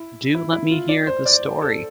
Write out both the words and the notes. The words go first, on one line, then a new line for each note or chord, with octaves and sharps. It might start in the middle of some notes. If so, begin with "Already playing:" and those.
Do let me hear the story!
Already playing: E4
E4
E4
F4
D5
C5
D5
A4